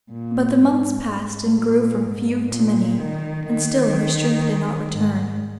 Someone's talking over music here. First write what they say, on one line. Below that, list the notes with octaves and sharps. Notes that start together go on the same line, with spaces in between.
But the months passed, and grew from few to many, and still her strength did not return.
A#2
G#2
G#2
A#2
G#2
A#2
D#3
D#3
G#2